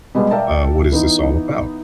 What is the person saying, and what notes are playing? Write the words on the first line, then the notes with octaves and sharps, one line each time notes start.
uh, what is this all about?"
B2 G3 G#3 B3
A#4 D5 E5 F5 G5 A5
E3 B3 D#4